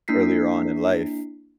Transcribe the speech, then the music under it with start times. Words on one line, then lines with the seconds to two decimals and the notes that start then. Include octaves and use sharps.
earlier on in life.
0.08 A#3 D4 E4 B6 C7